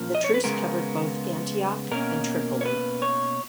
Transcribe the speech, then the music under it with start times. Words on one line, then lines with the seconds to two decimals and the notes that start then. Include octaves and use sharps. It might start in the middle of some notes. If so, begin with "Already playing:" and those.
The truce covered both Antioch and Tripoli.
Already playing: A#2 F3 A#3 C#4 A#4
0.15 D#5
0.24 C#5
0.34 B4
0.44 C#3 G#3 B3 A#4
1.91 B2 A#3 C#4 A#4
2.61 C#5
2.66 B4
3.02 C#5